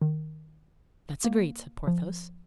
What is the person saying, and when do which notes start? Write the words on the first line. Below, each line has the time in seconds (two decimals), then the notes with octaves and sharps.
"That's agreed," said Porthos.
0.01 D#3
1.24 A#3
1.87 F3